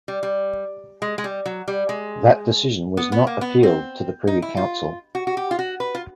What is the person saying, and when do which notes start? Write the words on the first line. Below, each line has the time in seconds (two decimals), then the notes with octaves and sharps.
That decision was not appealed to the Privy Council.
0.08 G3
0.23 G3
1.02 G#3
1.18 G#3
1.24 G3
1.46 F#3
1.68 G3
1.89 G#3
2.97 B3
3.12 B3
3.27 A#3
3.41 B3
3.63 C4
4.27 D#4
4.42 E4
4.57 F4
5.15 F#4
5.27 F#4
5.37 G4
5.51 F4
5.59 F#4
5.80 B4
5.95 F4